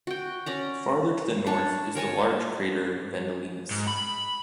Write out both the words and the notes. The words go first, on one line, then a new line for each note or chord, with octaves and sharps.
Farther to the north is the large crater Vendelinus.
F#4 G5
C#4 D5 A#5
D4 C#5 A5
A#4 C#5 G#5 A5
G#2
B5